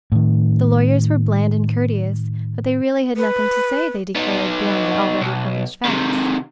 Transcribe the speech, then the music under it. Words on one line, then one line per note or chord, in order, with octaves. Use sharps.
The lawyers were bland and courteous, but they really had nothing to say, they declared, beyond the already published facts.
A2 D#3
B4
B3 D#4
B1
C3 D#3